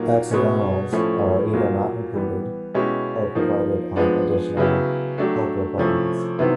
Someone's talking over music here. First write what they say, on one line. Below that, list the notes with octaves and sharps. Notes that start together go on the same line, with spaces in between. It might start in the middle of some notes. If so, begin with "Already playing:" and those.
Accidentals are either not included or provided on additional "helper" buttons.
Already playing: A#2 F#3 A#3 D#4 F#4
B2 G#3 C#4
A2 F3 A3 C#4
A#2 F#3 A#3
E3 G3 B3
B2 G#3 C#4 E4 G4
F3 A#3 D#4
F3 G#3 B3 D4
C#3 F#3 B3 E4 G4
F#3 A3 D4 G4
C3 F3 A3 C#4 E4
C3 D#3 F#3 B3 E4